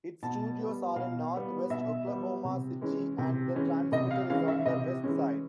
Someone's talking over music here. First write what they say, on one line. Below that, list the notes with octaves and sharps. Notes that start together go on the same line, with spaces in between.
Its studios are in Northwest Oklahoma City, and the transmitter is on the Westside.
B2 A5
G3 B3
B2 F5
G3 B3
B2 E5
G3 B3
C3
E3 G#3 C#4
C3
E3 G#3 C#4
C3 D#5
F5
E3 G#3 C#4 F5
E5
C3 D#5
E3 G#3 C#4